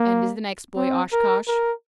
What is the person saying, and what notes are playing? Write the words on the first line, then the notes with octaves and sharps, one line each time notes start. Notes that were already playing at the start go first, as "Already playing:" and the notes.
"And is the next boy Oshkosh?"
Already playing: A#3
C4
A#4
A#4